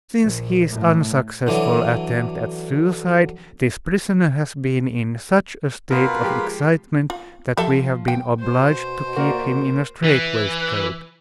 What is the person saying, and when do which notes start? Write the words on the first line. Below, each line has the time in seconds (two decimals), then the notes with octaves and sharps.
Since his unsuccessful attempt at suicide, this prisoner has been in such a state of excitement that we have been obliged to keep him in a strait-waistcoat.
0.22 A#1
0.71 A2
1.47 D3 E3 F#3
5.90 B2 F4 A#4 B4
6.21 F3 G#3 G4
7.10 F4
7.57 F3 G4 A4 E5
8.08 G5
8.40 B2 C5
9.16 A#3 F#4 A#4 D5
10.04 E3